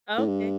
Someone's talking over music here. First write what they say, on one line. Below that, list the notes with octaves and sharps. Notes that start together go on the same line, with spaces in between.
Oh, okay.
A2
G2